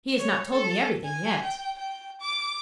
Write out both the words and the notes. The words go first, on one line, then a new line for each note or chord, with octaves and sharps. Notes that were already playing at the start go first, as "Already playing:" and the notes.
He has not told me everything yet.
C#5
A4
G#5
G5
G5
D6